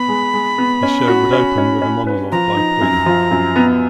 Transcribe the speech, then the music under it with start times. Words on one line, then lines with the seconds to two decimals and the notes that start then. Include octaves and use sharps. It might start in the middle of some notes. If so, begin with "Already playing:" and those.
The show would open with a monologue by Quinn.
Already playing: B3 B5
0.09 G#3
0.34 G#3
0.58 B3
0.83 C#4
1.08 F#4
1.33 C#4
1.58 C#4
1.82 C#4
2.07 B4
2.32 F3 A#5
2.56 D#4
2.81 F#2
3.06 F3
3.31 F#2
3.56 B3